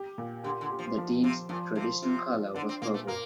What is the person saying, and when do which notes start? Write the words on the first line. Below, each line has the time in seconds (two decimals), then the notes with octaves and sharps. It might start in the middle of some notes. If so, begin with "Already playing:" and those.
The team's traditional color was purple.
Already playing: G4
0.18 A#2
0.44 D3 G4
0.61 D3
0.71 G4
0.79 F3
0.97 F3
1.23 C3 F3
1.49 A#2 F3
1.75 C3 F3
2.02 C3 F4
2.29 F4
2.55 D3 D4
2.69 C4
2.82 A#2 A#3
2.94 A3
3.07 A#3 A#4